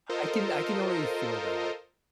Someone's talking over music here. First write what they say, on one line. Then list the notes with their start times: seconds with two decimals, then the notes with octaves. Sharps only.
I can I can already feel that.
0.09 F4 A4 A#4 C5 D#5